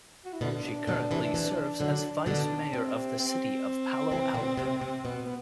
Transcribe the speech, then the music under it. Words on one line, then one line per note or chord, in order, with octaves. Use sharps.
She currently serves as Vice Mayor of the City of Palo Alto.
F#4
E4
B2 D3 D4
C3
B2 D3
C3 E3
C3 E3
D3 F#3
B2 D3 D4
C3 C4
C4
C3 E3
B2 D3
C3
C3
B2 B3
B3